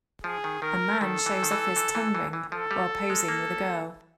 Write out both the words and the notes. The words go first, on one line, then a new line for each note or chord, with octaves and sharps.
A man shows off his tongue ring while posing with a girl.
F3 G#4
D#3
D#3 A#4
D#3 A4
E3
D#3
E3
E3
E3
E3
E3
F3 A4
G3
G#3
A#3